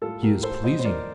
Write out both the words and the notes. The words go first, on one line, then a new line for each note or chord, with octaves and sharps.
He is pleasing.
A2 G3 F4 A4
G4 A#4
A4 C5
A2 G3 C5 D#5
C5
A#4 D5